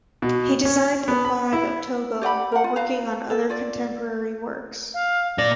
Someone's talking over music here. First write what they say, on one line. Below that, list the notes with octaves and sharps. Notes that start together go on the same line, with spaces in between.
He designed the flag of Togo while working on other contemporary works.
B2
C#4
B3
B5
E4
G4 D5 F#5 B5
A#4 F#5
F4
B4 F5 A#5
A4
F4 D5
F5
A#2 D5 A#6